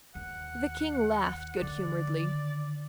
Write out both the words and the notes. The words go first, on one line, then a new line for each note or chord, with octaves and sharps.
The King laughed good-humouredly.
D#2 F#5
D3 D#3 D5